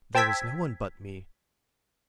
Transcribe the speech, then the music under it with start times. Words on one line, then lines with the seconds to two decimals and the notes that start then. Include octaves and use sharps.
"There is no one but me."
0.15 C5 G5 A5 E6 G#6 B6